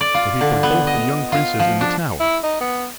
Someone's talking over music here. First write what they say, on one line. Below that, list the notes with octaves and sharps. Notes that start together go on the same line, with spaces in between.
So he put both the young princes in the Tower.
D5
F4
D3
B3
D#5
F4
F3
D4
E4
D#4
B3